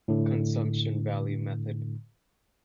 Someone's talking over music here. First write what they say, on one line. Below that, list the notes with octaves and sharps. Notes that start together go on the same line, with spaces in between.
Consumption value method.
A2 D3